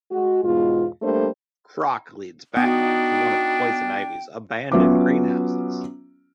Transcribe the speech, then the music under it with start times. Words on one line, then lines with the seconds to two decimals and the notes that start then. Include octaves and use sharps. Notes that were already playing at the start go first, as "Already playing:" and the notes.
Croc leads Batman to one of Poison Ivy's abandoned greenhouses.
0.11 G#3 F#4
0.44 E2 G#2 B2 G#3 F4
1.02 G3 A3 A#3 D4 A4 C5
2.57 B3 D4 D#4 F#4 G5
4.72 F#3 B3 C#4 F4 E5 D6